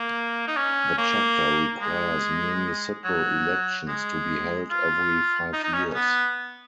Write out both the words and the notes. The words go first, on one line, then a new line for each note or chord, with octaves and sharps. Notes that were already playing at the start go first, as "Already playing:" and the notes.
The chapter requires municipal elections to be held every five years.
Already playing: A#3
D#4
C#4
A#3
G#3
F#3
G#3
F4
D#4
D#4
C#4
B3